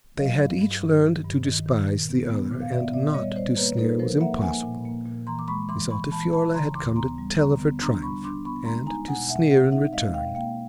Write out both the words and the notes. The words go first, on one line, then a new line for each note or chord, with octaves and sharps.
They had each learned to despise the other, and not to sneer was impossible. Miss Altifiorla had come to tell of her triumph, and to sneer in return.
F#3 D#5 F5
G2
G2
G2
D#3
G2
D#3
D#3
A#2
B3
B3
A#2
F5
B3 D5 E5
A#2 D5 E5
G3 C#5 D#5
G3 C5 D5
A#3 B4 C#5
D#4 A4 B4
F3 A#4 C5
A#3 E5 F#5
A#3 F#5 G#5
A#2
A#3
A#2
E3 A#5 C6
D6
G#3 B5 C#6
E3 C6 D6
E3 B5 C#6
E3 A5 B5
E3 A5 B5
C#3 A#5 C6
D#2 C6 D6
B3 A#5 C6
G3
D3 A#5 C6
B3
D4 A#5 C6
G3 B5 C#6
D4 C6 D6
B3 B5 C#6
G#3 A#5 C6
D#4 G#5 A#5
B2 F#5 G#5
B2 E5 F#5
C4 E5 F#5
D#4 E5 F#5
G#3 D#5 F5
B2 F5 G5
A#3 F5 G5